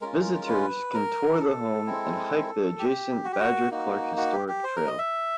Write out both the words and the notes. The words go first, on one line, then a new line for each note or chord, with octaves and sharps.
Visitors can tour the home and hike the adjacent Badger Clark Historic Trail.
G#3 C#4 F4 A#4
B4
A#4
A4
G#3 C4 E4
G4
F#4
G4
F#4
A#3 D#4 F#4
F#4
G4
G4
C5
A#4
D#5
E5